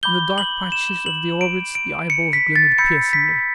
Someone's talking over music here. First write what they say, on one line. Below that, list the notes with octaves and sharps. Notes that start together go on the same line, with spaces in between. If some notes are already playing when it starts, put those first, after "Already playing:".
In the dark patches of the orbits the eyeballs glimmered piercingly.
B5 D6 G6 G7
F#7
E7
F#7
D7
D7
C#7
B6
A6
B5 E6 G6 C#7
B6